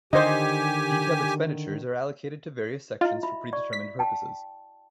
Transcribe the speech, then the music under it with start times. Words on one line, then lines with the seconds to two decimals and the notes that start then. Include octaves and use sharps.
Detailed expenditures are allocated to various sections for pre-determined purposes.
0.13 D3 D#3 G4 C5 D#5 G#5
3.01 E4 F4 D#5
3.23 F#4 E5 B5
3.53 D5 C#6
3.73 B6
3.99 G5 A5